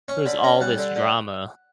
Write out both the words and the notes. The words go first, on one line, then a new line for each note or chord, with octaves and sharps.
"There's all this drama."
C#4 C#6
D3 B5
C#4 A#5
G3 F#5
D3
D3